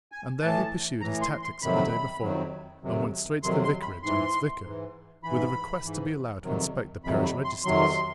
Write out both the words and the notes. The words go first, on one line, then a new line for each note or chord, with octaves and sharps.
And there he pursued his tactics of the day before and went straight to the vicarage and its vicar, with a request to be allowed to inspect the parish registers.
G#5
A2 E3 A5
A2 E3 A#5
C6
C6
F2 C3 D#3 F#3 B5
F2 C3 D#3 F#3
F2 C3 D#3 F#3
F2 C3 D#3 F#3 C6
C6
B5
G#2 E3 C6
G#2 E3
G#2 E3 B5
G#2 E3
F2 C3 D#3 F#3
F2 C3 D#3 F#3 B5
B5
C6
F2 C3 D#3 F#3 C6